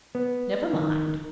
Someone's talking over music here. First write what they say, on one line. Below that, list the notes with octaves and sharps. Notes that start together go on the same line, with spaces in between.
Never mind.'
B3
D#3